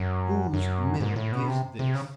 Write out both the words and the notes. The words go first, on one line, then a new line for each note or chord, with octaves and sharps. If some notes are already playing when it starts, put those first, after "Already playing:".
"Whose mill is this?"
Already playing: F#2
F#2
G#2
A2
B2
C3
C3
C#3